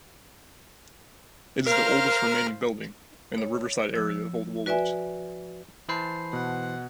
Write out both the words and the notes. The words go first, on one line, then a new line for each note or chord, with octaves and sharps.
It is the oldest remaining building in the riverside area of Old Woolwich.
A#4 C5 F5 F6
C#5
F3 E6
F#4 B4 D5 E5 G#5
E3 C5 A5 B5 C7
B2 F#5